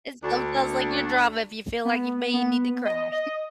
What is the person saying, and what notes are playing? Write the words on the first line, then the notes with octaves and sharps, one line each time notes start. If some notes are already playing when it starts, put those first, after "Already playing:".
And sometimes like your drama if you feel like you may need to cry.
D2 D4
B3
B3
D#5
D#5